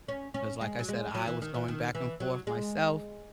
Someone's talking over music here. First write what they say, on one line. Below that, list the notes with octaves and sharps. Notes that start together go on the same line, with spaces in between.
'cause like I said, I was going back and forth myself,
C#4
C#4
G#3
F#3
G#3
F#3
E3
D#3
E3
D#3
E3
F#3
G#3